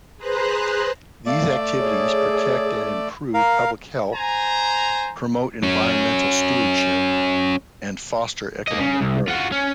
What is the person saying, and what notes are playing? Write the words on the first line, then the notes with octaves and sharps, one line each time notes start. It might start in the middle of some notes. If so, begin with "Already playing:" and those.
These activities protect and improve public health, promote environmental stewardship, and foster economic growth.
G#4 B4 C5 A#5 C6 F#6
A3 D5 F5
G#4 C#5
A#4 F5 A#5
C5 G#5 A#5
F#3 C#4
A#3 D#5
C#3
C2
F4 F#4
C#4